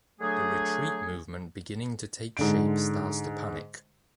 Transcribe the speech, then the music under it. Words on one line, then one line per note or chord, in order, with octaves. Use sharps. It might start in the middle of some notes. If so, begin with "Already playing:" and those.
The retreat movement beginning to take shape starts to panic.
D3 F#3 A3 D4 G#4
G#2 D3 D7